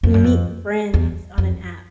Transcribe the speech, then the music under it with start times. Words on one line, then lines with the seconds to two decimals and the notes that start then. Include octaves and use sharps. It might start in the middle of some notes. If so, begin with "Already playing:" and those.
meet friends on an app,
0.03 F2
0.14 F#2
0.24 F2
0.94 E2
1.38 F2